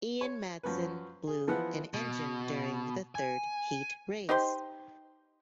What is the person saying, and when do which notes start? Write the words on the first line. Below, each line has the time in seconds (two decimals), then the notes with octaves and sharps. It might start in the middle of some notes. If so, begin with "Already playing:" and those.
Ian Madsen blew an engine during the third heat race.
0.21 C#5
0.63 F#2 F3 C#4 B4
1.27 G#4
1.48 E3 F3 B3 E4 B4 F#5
1.94 B2
3.15 G#5
4.29 D#4 G4 C5 C6